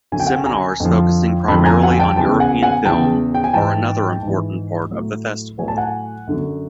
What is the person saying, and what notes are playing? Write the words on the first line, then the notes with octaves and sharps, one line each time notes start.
Seminars focusing primarily on European film are another important part of the festival.
F#2 D3 F#3 G#5
G5
F#5 G#5
G#5 A#5
F2 D3 F3
F2 D3 F3 A5 B5
G#5 A#5
F#5 G#5
G5 A5
E2 C#3 E3 G5 A5
F#5 G#5
F#5 G#5
E2 C#3 E3 G5 A5
G5
G#5
G#2 E3 G5 A5
G#2 E3
A2 F#3
A2 F#3 G#5
A5
F#5 G#5
F#2 D3 F#3